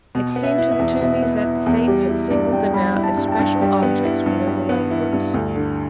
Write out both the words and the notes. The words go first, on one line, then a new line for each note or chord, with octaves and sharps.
It seemed to the Toomeys that the Fates had singled them out as special objects for their malevolence.
B2
B3
E5
E4
E5
E2
B2 E5
B3
E4
E2
G3 G4
E4 G4
G2 D5
G2 G5
G3 B5
E4
A5
G2
G5
A5
G2
G3 G5
B3
E4
G2
G3
B3
E4
G2
D2
D3